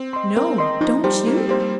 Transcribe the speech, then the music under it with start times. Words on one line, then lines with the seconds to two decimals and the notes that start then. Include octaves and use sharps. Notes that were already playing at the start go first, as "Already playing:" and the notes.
"No. Don't you?"
Already playing: C4
0.13 D#5 C6
0.36 C4 A#4
0.58 D#5 C6
0.81 F3 D#4
1.04 G3 G4 C5
1.26 A#3 D#4
1.37 C4
1.49 A#3 G4 C5
1.60 G3